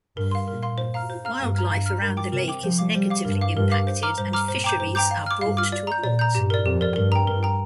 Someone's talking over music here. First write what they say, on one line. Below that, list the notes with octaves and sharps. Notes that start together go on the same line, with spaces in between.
Wildlife around the lake is negatively impacted and fisheries are brought to a halt.
G2 A#4
F5 C6
A#2 A#4
F5 C6
C5
F5 A#5 F6
C5
F5 A#5 F6
G2 F5
A#5 F6
G2 F5
A#5 F6
G2 A#4
G5 D6
C3 A#4
G5 D6
F3 C5
F5 D6
G3 C5
F5 D6
G2 A#4
F5 D6
G2 A#4
F5 D6
C5
A#5 D6 F6
G2 C5
A#5 D6 F6
A#2 C5
G5 A#5 D6 G6
G2 C5
G5 A#5 D6 G6
F5
D6 F6
G2 F5
D6 F6
D5
A#5 G6
A#2 D5
A#5 G6
G2 G4
A#4 D5
F2 G4
A#4 D5
G2 A#4
G5 A#5
G2 A#4
G5 A#5